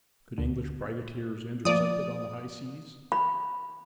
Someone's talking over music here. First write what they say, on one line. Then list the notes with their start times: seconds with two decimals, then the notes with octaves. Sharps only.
Could English privateers intercept it on the high seas?
0.38 D2 D3
1.65 F3 A3 A#3 D5 D#6
3.12 B5